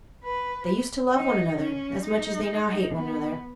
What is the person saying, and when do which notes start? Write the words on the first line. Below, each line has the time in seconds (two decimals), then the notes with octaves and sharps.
They used to love one another as much as they now hate one another.
0.24 B4
1.14 D#4
1.59 C#4
2.04 D#4
2.93 B3